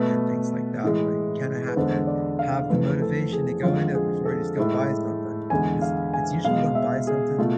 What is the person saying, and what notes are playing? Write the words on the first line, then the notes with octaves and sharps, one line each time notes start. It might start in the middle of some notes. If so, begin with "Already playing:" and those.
and things like that, but you kinda have to have the motivation to go into it before you just go buy something, 'cause it's usually you don't buy something
Already playing: B2 A3 B4
A2 E3 G#3
B4
E2 D3 G#3 C5
D5
F5
F2 E3 A3 B4
A4
G#4
F2 D3 G#3 F4
G#4
A4
A2 G#3
E2 D3 G#3 G#5
F5
G#5
B2 G#3 F5
E5
G#4
B2 A3 F4